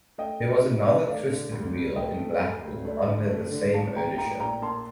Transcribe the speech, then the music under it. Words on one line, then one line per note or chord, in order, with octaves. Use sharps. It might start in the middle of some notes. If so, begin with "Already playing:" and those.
There was another Twisted Wheel in Blackpool under the same ownership.
A3 D#5 G5
A3
D#4
D#4
A3 D5 F5
D3
D2
A3
A3 D#5 G5
A3
D2
D2
A3
D3
A3
D3
A2 F5 A5
A#1 G5 A#5
A2 G5 A#5
A#1 G5 A#5
A#3 A5 C6